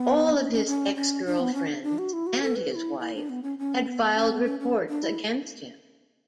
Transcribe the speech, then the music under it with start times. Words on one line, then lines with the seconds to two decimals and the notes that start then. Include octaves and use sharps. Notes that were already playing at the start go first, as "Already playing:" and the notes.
All of his ex-girlfriends, and his wife, had filed reports against him.
Already playing: B3
0.38 C#4
0.53 C#4
0.67 C#4
0.96 C#4
1.26 D4
1.40 B3
1.54 C#4
1.69 D4
1.83 D4
1.98 F#4
2.13 E4
2.27 F#4
2.42 A4
2.56 B4
2.71 F#4
2.75 E4
3.00 E4
3.15 D4
3.29 B3
3.43 C#4
3.59 C#4
3.87 B3
4.16 C#4
4.31 B3
4.45 C#4
4.60 C#4
4.89 D4
5.03 E4